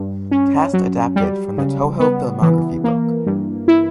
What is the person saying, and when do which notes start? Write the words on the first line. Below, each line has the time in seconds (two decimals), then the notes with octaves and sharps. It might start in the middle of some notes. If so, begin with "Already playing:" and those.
Cast adapted from the "Toho Filmography" book.
Already playing: G2
0.31 C#4
0.73 F#3
1.16 G3
1.58 C#3
2.00 B3
2.42 E3
2.84 A#3
3.26 G2
3.68 E4